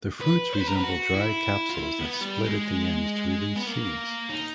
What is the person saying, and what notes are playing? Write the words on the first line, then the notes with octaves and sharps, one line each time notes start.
The fruits resemble dry capsules that split at the ends to release seeds.
B4
C5
B4
A#4
B4
F#4
E4
F4
E4
B3
G3
G#3
B3
A#3
D#4